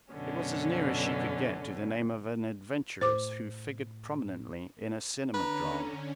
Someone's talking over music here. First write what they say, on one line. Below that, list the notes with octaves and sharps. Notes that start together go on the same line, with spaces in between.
It was as near as she could get to the name of an adventuress who figured prominently in a cinema drama.
F#2 B2 D3 C#4
A2 C5 D6
D3 C#4 D4 B4 A#5